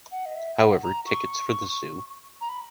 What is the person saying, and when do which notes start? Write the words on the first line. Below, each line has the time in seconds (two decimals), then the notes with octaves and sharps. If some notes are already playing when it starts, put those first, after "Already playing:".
However, tickets for the zoo?
0.11 F#5
0.25 D#5
0.35 E5
0.59 F#5
0.83 A#5
1.06 C#6
2.41 A#5
2.49 B5